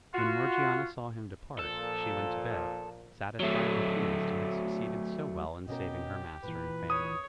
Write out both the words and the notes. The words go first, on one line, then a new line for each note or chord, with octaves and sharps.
When Morgiana saw him depart, she went to bed, satisfied and pleased to have succeeded so well in saving her master and family.
F4 F#4
A#2 F3 A4
F#3 A3
B2 C#4 G4 A#4 D#5
A#2 E3 B4
C#5 D#6